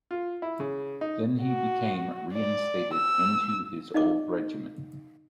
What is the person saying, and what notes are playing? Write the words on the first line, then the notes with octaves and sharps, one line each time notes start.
Then he became reinstated into his old regiment.
F4
E4
C#3
D#4
F#4
D5
E6
D#4 D5 D#5 D6